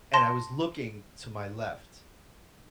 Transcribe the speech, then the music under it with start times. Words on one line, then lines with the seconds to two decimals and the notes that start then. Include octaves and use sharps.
and I was looking to my left
0.14 A5 C6 A#6